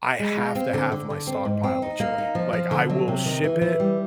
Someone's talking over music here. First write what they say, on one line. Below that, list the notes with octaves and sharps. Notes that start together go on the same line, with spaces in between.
I have to have my stockpile of chili. Like, I will ship it.
G#3
F4
C4
D3
D3
D3
C4
G#2
C4
D#4
A#3
D#4
F3
F3
D3
F#3
C3
D#3
E3
E3
G3